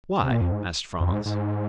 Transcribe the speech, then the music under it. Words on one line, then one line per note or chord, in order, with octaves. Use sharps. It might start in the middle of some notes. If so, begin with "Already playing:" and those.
"Why?" asked Franz.
C3
A#2
F2
G#2
F2
G#2
G#2